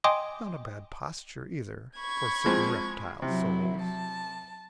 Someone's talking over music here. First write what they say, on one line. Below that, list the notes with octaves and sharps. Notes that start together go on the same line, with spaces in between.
Not a bad posture, either, for certain reptile souls.
D#5 G5 G#5 C6 D6 D#6
B5 C#6 G#6
F3 G#3 C4
C3 F#3 E4
A5